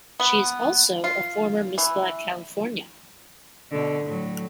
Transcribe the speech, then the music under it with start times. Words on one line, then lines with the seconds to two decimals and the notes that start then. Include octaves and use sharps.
She is also a former Miss Black California.
0.20 B3
1.04 F4
1.78 E3
3.71 B2 D3
4.04 A2 F#3